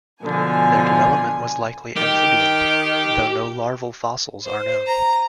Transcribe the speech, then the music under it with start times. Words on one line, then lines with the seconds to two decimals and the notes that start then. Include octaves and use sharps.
Their development was likely amphibian, though no larval fossils are known.
0.22 B2 D3 F3 G#5
1.96 D#3 G4
4.45 C5
4.87 A#5